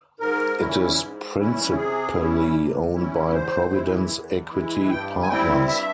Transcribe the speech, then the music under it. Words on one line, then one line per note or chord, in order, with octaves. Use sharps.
It is principally owned by Providence Equity Partners.
G#2 A#4
E3 G3 C#4 E4
G#2
E3 G3 C#4 E4
C3 G#4
E3 G3 C#4 E4
C3
E3 G3 C#4 E4
E2 C5
E3 G#3 E4
E2
E3 G#3 E4
G2 G5
G#5
G3 C4 E4 G5
G2 E5